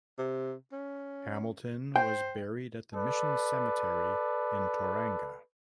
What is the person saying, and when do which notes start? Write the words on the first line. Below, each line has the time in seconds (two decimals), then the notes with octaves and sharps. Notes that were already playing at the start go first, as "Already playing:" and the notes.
Hamilton was buried at the Mission Cemetery in Tauranga.
0.18 C3
0.72 C#4
1.96 C5 G5
2.95 A4 B4 D5